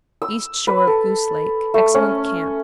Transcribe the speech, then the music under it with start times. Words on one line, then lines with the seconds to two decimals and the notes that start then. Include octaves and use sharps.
East shore of Goose Lake.--Excellent camp.
0.22 E6
0.67 B4
0.87 A4
1.74 A3
1.94 C#4